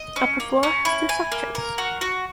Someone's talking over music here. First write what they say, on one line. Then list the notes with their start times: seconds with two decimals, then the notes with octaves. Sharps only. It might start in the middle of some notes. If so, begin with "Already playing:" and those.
Upper floor has two sections.
Already playing: D#5
0.16 C#4
0.40 A#3
0.63 C#4
0.85 E4
1.09 G#5
1.32 A#3
1.55 A#4
1.78 F#4
2.01 F#4